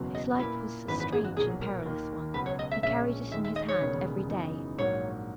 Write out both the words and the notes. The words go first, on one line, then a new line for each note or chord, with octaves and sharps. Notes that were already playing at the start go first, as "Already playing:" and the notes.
His life was a strange and perilous one; he carried it in his hand every day.
Already playing: F#1 E2 B2 F#3
D#5
A#2 A#3 E4 B4
G#1 F#2 E3 B3 D#4 B4
B4
G#4
F#4
B1 A#2 F#3 G#4
A#4
D#2 D#3 A#3
C#2 B2 F#3 B4
C#5
D#5
E5
A#1 A#2 G#3 C#4 E5
D#2 D#3 G#3 D#4 E5
E5
D#5
C#5
E1 D#2 C#3 G#3 B3
F#2 C#3 E3 B3 D#4
A#1 G#2 F#3 A#3 C#5